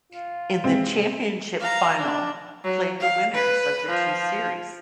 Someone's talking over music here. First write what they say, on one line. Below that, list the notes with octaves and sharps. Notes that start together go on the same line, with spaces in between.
In the championship final played the winners of the two series.
F4
C3 G#3 C4
F5 A#5
D4
F#3
F5
B4
F3